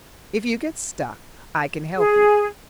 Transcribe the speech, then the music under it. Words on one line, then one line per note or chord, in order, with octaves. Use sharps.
If you get stuck I can help you.
G#4